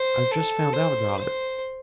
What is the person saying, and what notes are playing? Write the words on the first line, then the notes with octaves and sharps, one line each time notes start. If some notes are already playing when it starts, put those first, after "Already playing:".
I have just found out about it.
Already playing: C5
A4
C5
C5